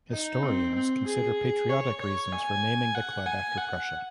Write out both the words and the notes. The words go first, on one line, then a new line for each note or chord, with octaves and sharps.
Historians consider patriotic reasons for naming the club after Prussia.
D#4
C4
C4
G#4
C#5
C#5
G#5
F#5
G#5
F#5